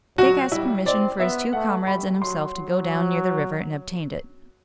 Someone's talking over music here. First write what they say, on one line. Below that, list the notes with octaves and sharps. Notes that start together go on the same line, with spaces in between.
Dick asked permission for his two comrades and himself to go down near the river and obtained it.
F#3 F#4
G3 E4
C4 D5
B3 E5
A3 F#5
G3 B5
F#3 C6
F#3